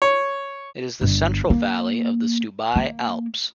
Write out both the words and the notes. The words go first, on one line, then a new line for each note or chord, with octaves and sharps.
It is the central valley of the Stubai Alps.
C#5
G1
A#3
A#3